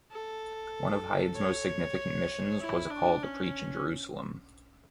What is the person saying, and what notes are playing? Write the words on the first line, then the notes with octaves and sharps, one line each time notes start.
One of Hyde's most significant missions was a call to preach in Jerusalem.
A4
C#5
E4
D4
C#4